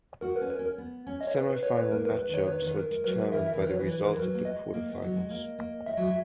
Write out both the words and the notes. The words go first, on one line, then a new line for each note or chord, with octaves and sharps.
Semifinal matchups were determined by the results of the quarterfinals.
F#4 A#4
B4
C#4
A#4
C#4
B3
C#4
D#5
C#5
B4
B4
C#5
B4
A#3 A#4
B4
G#3
B4
D#3 C#5
D#3 B4
D#3
B4
A#4
G#3
F#3 B4
A#4
E3 E5
A#4
E3
D#3 B4
F#3 C#5
B4
E3
B4
E3
A#4
E3
F#3 B4
A#3
G#3 D#5
A#3
B3
F#3
G#3
A#3
A#3
G#3 E5
F#3
G#3